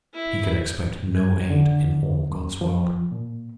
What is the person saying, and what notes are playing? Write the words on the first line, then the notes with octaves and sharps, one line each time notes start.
He could expect no aid in all God's world.
E4
G#6
D3
F#2
F3
A#2